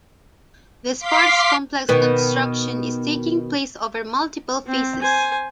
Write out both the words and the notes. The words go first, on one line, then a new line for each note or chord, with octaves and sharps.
The sports complex construction is taking place over multiple phases.
F5 C6 D6 B6 C7
B2 D#3 B3
C4
C5 G#5